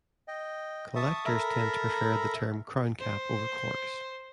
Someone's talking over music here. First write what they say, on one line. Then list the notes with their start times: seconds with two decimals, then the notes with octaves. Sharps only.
Collectors tend to prefer the term crown cap over corks.
0.28 D#5 G5
0.96 E5 A5 C#6 D#6
1.25 A4 A#4 E5 A#5 B5
3.00 C5